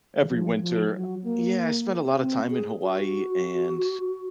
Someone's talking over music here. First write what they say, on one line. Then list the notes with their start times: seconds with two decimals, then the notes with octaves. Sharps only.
Every winter yeah, I spent a lotta time in Hawaii and
0.21 D#3
0.29 F3
0.61 F3
0.93 F#3
1.24 A#3
2.18 C4
2.50 G#4
2.82 F#4